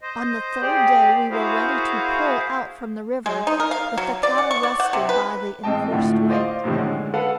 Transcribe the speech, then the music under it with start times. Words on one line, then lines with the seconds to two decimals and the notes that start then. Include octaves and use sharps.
On the third day we were ready to pull out from the river, with the cattle rested by the enforced wait.
0.01 C5 D#5
0.62 C4 G4 G#4 D5
1.31 A#3 E4 F#4 G#4 C5 F5
3.26 G#3
3.47 D#4
3.60 A#4
3.71 F5
3.97 F#3
4.23 D5
4.38 F#5
4.51 C#6
4.63 D5
4.80 F#5
4.93 C3
5.09 B4
5.63 A1 G#3 C4 D#5 G5 A5
5.91 A2 D3 A3 F4
6.30 C5 D5 D#5 F5 C6
6.64 F#2 A2 C3 D#3 F3
6.76 D3 G#3 C#4
7.14 A4 B4 F5 F#5